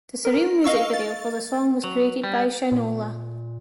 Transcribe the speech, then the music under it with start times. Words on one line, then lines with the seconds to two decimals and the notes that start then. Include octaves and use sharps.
The surreal music video for the song was created by Shynola.
0.25 A#4
0.64 D#5 F5 C#6 E6
0.93 A6
1.84 F#3
2.24 G3
2.72 A#2